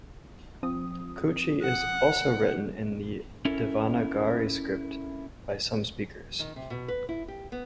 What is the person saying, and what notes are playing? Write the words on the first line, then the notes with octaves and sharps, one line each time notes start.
Kutchi is also written in the Devanagari script by some speakers.
F3 C4 D#6
F#5
C#4 E4 A4 A#4
D#3
C3
B2
B4
E4
G4
B3